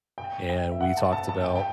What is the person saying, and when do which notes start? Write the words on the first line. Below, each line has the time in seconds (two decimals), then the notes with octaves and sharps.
and we talked about,
0.18 G5
0.49 G5
0.72 E5
0.81 F#5
0.97 A5
1.13 A5
1.29 A5
1.44 G5
1.55 G5